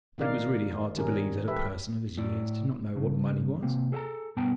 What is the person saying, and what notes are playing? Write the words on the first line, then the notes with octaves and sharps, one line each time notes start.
But it was really hard to believe that a person of his years did not know what money was.
A#2 D#3 D#4 A#4 D5 F5
B2 D#3 G3 C#4 G#4 A#4
G4 A4 B4 E5
A2 E4 D5
G2 C#3
C3 A#3 C4
G#4 A4 D5 F#5 A5 A#5
G2 B2 B3 G5 A5 A#5